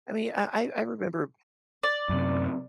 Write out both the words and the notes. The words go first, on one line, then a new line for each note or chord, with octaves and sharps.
I mean, I I I remember
D5
F#2 C3